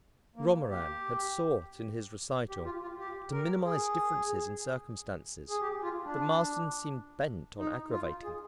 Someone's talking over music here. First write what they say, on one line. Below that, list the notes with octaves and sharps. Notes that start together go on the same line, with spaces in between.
Romarin had sought in his recital to minimise differences in circumstances; but Marsden seemed bent on aggravating them.
A#3
G4
G4
F4
F4
G4
A#4
G#4
G#4
G4
F4
D4
D#4
F4
G#4